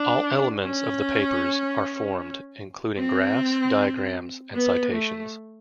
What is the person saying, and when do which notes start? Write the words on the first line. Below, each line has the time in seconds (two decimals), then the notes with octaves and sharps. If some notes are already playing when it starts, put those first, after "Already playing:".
All elements of the papers are formed, including graphs, diagrams, and citations.
Already playing: D4
0.64 C#4
2.98 C4
4.55 B3
4.94 A3